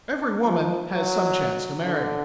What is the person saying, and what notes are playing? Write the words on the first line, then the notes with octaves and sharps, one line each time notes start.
Every woman has some chance to marry.
F3
F#3
D3